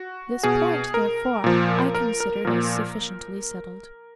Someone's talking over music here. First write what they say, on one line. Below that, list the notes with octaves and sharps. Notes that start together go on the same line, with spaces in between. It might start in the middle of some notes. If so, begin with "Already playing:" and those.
This point, therefore, I considered as sufficiently settled.
Already playing: F#4
B2 G#4
A#4
A#2 F3
A#4
A#4
A#2 F3 A#4